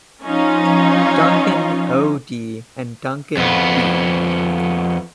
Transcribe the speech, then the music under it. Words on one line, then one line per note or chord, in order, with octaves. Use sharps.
Duncan, O. D. and Duncan, B.
F3 C#4 D#4 F4
F2 B3